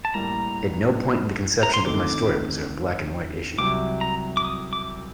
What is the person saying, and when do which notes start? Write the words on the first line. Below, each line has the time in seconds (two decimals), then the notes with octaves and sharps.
At no point in the conception of my story was there a black-white issue.
0.05 A5
0.14 A2 G3 A#3 A#5
1.63 A#5
1.74 C6
1.86 D#2 D3 A3 C4 D#4 D6
3.58 C2 C3 F#3 D6
4.01 A#5
4.37 D6
4.44 D#6
4.73 D6